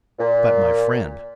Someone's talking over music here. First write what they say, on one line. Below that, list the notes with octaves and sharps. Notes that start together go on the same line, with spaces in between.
But my friend!
A#2